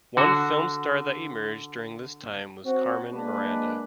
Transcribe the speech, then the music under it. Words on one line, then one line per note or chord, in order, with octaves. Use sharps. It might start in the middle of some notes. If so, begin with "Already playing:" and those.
One film star that emerged during this time was Carmen Miranda.
D3 F#4
C4 C#4 F#4
G#3 A#3 D4 B4